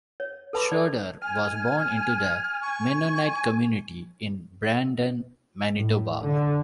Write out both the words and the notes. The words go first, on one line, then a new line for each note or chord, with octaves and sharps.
Schroeder was born into the Mennonite community in Brandon, Manitoba.
C#5
A4 B4 A5 B5 C6 D6
A4 D5
G#5 F6
C#6
A2
D3